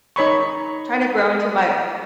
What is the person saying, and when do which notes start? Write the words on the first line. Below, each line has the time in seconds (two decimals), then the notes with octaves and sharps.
trying to grow into my o
0.16 D#4 C#5 B5 C#6